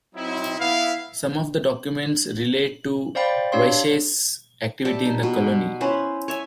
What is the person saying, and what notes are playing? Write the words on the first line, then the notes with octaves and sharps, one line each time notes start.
Some of the documents relate to Wyche's activity in the colony.
F#3 C4 D#4 E4
B3 E4 E5 F5
C5 D5 F5 G5 B5 A6
D4 G4 C#5 F5 C6
G3 G4 E5 A5
D#4
B2
C#4 E4 B4 C5
C#5 E5 G#5